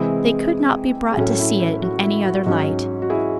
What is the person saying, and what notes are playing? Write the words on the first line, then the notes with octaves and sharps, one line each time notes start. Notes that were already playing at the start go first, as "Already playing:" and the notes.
They could not be brought to see it in any other light.
Already playing: C3 E3 G#3 C4 E4 G#4
G#4
A2 F#3 A3 C#4 F#4
E4
E4
F#4
E4
F#4
G#2 F#3 C#4 F#4
F#4
E4 G#4